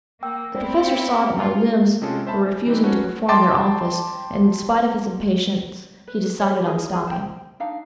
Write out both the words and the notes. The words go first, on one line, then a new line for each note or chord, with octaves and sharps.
The Professor saw that my limbs were refusing to perform their office, and in spite of his impatience he decided on stopping.
A#3 G5 E6
C4 E4 G4 C5 D5 G5
F5 C#7
F4
C3 G#3 C#4 F4 G#4 A4
C5 E5 A5 B5
G#5
E3 G3 C4 D#4 G4 B4
C#4 F#4 A4 B4 C#5
G5 A5 C6 D6 A6
B4
C#5
D#4 F4 G#4 A#4
G#4
C5 G5
D4 D#4 F5